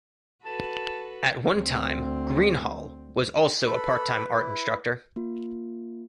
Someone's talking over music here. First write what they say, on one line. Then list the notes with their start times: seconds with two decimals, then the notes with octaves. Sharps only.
At one time, Greenhalgh was also a part-time art instructor.
0.44 F#4 A4 B4 A5
1.53 D2 C4
3.67 A4 B4 B5
4.33 E4
5.16 A#3 F4